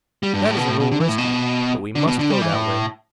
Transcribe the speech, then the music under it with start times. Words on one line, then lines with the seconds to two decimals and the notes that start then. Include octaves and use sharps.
That is a little risky, but we must go that way.
0.23 G3
0.34 G2
0.45 A2
0.57 B2
0.68 A2
0.80 B2
0.92 D3
1.00 E3
1.09 A2
1.18 B2
1.95 D3
2.07 B2
2.19 D3
2.30 G3
2.42 E3
2.53 A2